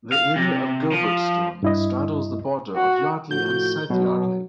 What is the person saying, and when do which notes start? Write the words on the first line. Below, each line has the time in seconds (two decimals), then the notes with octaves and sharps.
The area of Gilbertstone straddles the border of Yardley and South Yardley.
0.12 F5
0.36 C3
0.92 F3
1.63 G2 E4 D#5
2.76 F#4
3.31 A2 F3 F#4 G6
3.90 B2 F#3